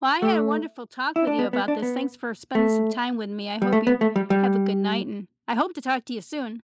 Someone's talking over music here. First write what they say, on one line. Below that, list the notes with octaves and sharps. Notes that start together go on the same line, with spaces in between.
Well, I had a wonderful talk with you about this, thanks for spending some time with me, I hope you have a good night, and I hope to talk to you soon.
A3
E4
D4
B3
B3
D4
B3
A3
G3
A3
B3
A3
G3
G3